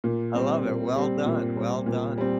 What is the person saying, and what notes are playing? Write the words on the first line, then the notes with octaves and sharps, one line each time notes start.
I love it. Well done, well done.
A#2
G3 C4
A#2
G3 C4
A#2
G3 C4
A#2
G3 C4